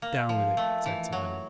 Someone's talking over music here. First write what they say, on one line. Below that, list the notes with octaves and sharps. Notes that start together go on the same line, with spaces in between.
"Down with it," said Sir Daniel.
A#3
F3
A3
E3
F#3